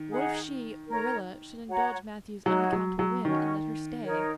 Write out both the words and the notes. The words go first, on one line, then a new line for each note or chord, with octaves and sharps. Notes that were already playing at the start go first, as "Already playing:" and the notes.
What if she, Marilla, should indulge Matthew's unaccountable whim and let her stay?
Already playing: D#3
D#4 G#4 F#5
A#4 C#5 A#5
F#4 C#5 F#5 A#5
F#3 D#4 F#4 C#5
F#3
F#3
D#3 C#4 F#4 D#5
D#4 A#4 C#5